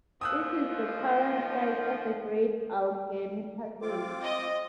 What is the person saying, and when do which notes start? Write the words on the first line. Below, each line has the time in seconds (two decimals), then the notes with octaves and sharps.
It is the current site of the Great Allegheny Passage.
0.21 D#2 B2 F3 D#6 E6 F#6
3.82 C4 F4 D6
4.25 D#5